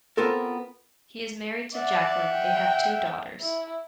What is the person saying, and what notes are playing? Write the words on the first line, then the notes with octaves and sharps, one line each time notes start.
He is married to Jacquelyn; they have two daughters.
B3 C4 F4 A4 A#4
D5 E5 F#5
G5
E4